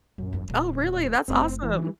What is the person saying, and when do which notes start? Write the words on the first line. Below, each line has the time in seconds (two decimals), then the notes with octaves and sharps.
Oh, really? That's awesome.
0.18 A#1 F#2
0.33 G1 E2
0.48 D1 D#2 A#2
1.28 F#1 A3 C4
1.63 E3